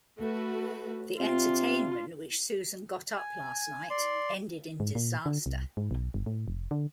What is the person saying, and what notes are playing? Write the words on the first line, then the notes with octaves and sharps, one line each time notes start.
The entertainment which Susan got up last night ended in disaster.
A3 F#4 B4
C3 D4 F4
G#5
D5 C6
G#2
A#2
D3
C2
G#2
B1
G1
A2
F1
D3